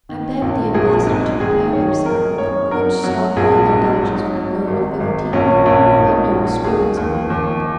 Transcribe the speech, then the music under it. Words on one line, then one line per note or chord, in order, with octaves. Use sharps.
I begged the ambassador to prepare himself with a good stock of indulgence for a girl of fifteen who had no experience of the world.
D#3
A#1
A#1 G#4
G#2
D#3 G#4
D#3 C#5
D#3 A#4
F#2 C#5
F#3 A#4
F#3
A#1 G#4
G#2
F#3 D#4
F#3
G#1
G#1
A#1 C#4
A#1 C#4
A#1 D#4
A#1 F#4
D#2 G#4
D#2
D#2